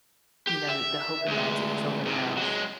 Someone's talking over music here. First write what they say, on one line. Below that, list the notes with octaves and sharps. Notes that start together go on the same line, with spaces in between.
you know, the the hope and magic children have?
G4
E5
D2 G#3
G#2 C3
F#3 G#3